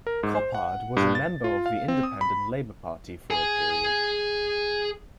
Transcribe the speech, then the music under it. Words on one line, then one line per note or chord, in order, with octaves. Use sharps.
Coppard was a member of the Independent Labour Party for a period.
A#4
G#2
C5
F#5
G2
A6
F4
F5
C4
D#6
B5
G#4 G#5